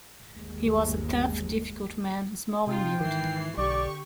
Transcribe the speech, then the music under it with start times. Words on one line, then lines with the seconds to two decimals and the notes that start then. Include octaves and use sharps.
He was a tough, difficult man, small in build.
0.33 G1 D#2 G#3
2.67 C3 D#4 F4 G5
3.00 G#1 D#3 E3 C7
3.58 B1 D3 G4 D5 C#6 D6